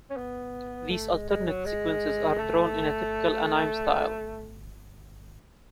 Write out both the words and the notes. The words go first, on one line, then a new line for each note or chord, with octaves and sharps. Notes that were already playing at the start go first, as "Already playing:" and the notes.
These alternate sequences are drawn in a typical anime style.
C#4
B3
A3
G#3
G#3
F#3
G#3
A3